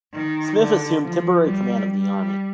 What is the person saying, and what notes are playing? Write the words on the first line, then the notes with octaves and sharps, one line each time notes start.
Smith assumed temporary command of the army.
D#3
D3
F3
G3
G3